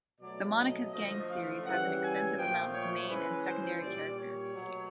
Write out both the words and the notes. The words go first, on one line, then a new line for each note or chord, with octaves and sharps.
The "Monica's Gang" series has an extensive amount of main and secondary characters.
B2 F#3 A3 D5
D#5
D3 F3 A3 D#5
F5
C#3 E3 G3 F#5
G#5
A#2 F3 A3 G5
C#5
C#3 E3 G#3 B4
C5
A#2 G3 D5
C#5
B2 F#3 A3